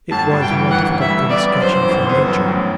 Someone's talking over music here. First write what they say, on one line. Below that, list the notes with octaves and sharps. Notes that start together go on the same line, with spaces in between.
It was more difficult than sketching from nature.
G1 A5
G2
G5
E3
G1 F#5
G1
E5
G2
B3 D5
F#2
C5
E3
G1
B3
F#2
A1